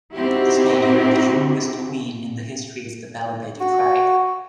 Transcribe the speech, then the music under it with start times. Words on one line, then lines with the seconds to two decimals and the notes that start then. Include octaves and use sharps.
This made her the youngest Queen in the history of the Balobedu tribe.
0.13 C4 D#4 E4 F#4 G4
3.60 F#4